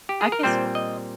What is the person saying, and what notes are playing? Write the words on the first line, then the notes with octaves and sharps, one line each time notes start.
I guess
G4
G#4
A#4
A#2 G3 C4 C5
D#5